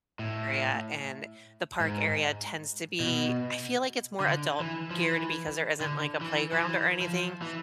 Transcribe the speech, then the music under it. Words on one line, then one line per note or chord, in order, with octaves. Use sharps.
area, and the park area tends to be I feel like it's more adult-geared because there isn't, like, a playground or anything,
A2
G#2
B2
D3
E3
F3
E3
D3
E3
F3
E3
F3
E3